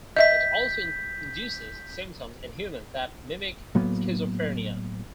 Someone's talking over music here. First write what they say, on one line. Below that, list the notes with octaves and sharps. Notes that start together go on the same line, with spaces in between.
It also induces symptoms in humans that mimic schizophrenia.
D#5 E5 G6 B6
A2 F#3 A#3 B3